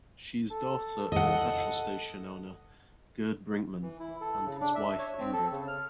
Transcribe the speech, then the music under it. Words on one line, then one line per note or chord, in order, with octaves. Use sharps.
She is daughter of the petrol station owner Gerd Brinkmann and his wife Ingrid.
A4
D#5 F#5
E3
E4
A4
C#3
D4
E5
C#5
C4
A4
C#3
F6